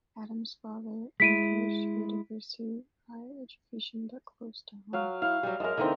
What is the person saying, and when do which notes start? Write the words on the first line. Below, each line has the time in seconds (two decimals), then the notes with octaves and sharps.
Addams's father encouraged her to pursue higher education but close to home.
1.20 G#3 E4 B6 D7 D#7
4.93 F#3 F5
5.22 E4 F5
5.43 F#3 G3
5.60 F#2 G#3 A#4 A5
5.77 D3 E3 A#3 C4 D#4